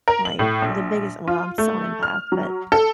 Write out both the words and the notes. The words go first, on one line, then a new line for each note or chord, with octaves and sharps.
like, the biggest well, I'm still an empath, but
A#4
F#7
A2
A#1
F4
A3
F6
F#3
A4